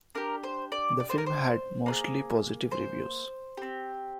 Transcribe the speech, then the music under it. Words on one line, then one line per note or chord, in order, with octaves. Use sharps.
The film had mostly positive reviews.
D4 G4 A#4
C5
D5
D5
C5
A#4
C5
A#3 D4 G#4
C5
C4 G4